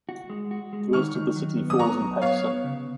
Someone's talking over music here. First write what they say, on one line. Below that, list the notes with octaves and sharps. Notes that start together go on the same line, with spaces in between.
The rest of the city falls in Paterson.
F#4
G#3
F#4
G#3
D#3 C#6 F6
D#3
F#3
B3
D#6
B3 A#5 C#6
F#3
B3 C#5 F5
B3
C#3